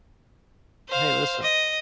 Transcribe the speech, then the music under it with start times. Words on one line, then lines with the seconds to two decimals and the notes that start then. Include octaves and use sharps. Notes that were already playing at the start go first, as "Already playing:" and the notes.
Hey listen
0.89 C5 F5
1.42 D#5